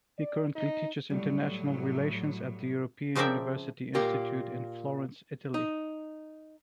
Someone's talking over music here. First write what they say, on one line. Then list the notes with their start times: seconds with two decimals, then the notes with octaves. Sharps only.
He currently teaches International Relations at the European University Institute in Florence, Italy.
0.18 D5
0.55 D#4
1.10 A2 F#3 G3
3.16 C#3 F3 C4 A#4 D5 E5
3.95 A#2 A#3 G4
5.54 D#4